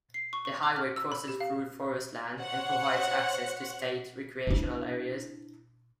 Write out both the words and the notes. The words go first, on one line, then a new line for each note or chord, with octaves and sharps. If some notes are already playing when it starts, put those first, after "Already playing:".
The highway crosses through forest land and provides access to state recreational areas.
C7
C#6
C#6
D6
F6
E6
B5
G4
F5
C5 C#5 F#5
D4 E4